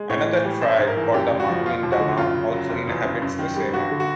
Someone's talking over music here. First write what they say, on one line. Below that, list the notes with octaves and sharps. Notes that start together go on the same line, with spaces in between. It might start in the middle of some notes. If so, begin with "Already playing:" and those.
Another tribe called the Maguindanao also inhabits the same area.
Already playing: G#3
A2 C#5
E3
G3
A1 C5
G#2
A#4
E3
F#2 G4
C#3
F#4
F3
F1 F4
D#2
F#4
D3
F#2 F4
C#3
F#3
F1
E2
C#3
F#2
D#3
G3
G2 F#4
D3
F#4